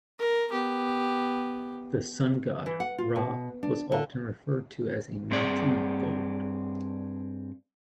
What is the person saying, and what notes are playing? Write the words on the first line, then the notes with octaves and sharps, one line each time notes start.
The sun god, Ra, was often referred to as a mountain of gold.
A#4
B3 G4
E3
F#5
F4
B2
D4
D3
G2 C4 G#4 D5